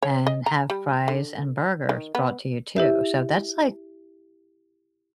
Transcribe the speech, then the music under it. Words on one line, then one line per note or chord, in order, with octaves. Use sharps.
and have fries, and burgers brought to you too. So that's, like,
C#5
D#5
A#5
G3
D3
D#3
B3
E4 G4 E5